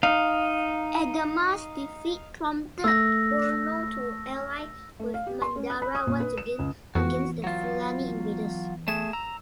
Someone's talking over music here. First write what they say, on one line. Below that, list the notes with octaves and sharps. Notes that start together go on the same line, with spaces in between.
Adama's defeat prompted Borno to ally with Mandara once again against the Fulani invaders.
D#4 F5
A3 E6 A#6
A3
F5
G4
C6
C#4
F#6
B5
D#6
A#2
B4
E7
C#2
F2 E3 B3 F#4
F#3 F4
A3 G#4 E7
A#5 E6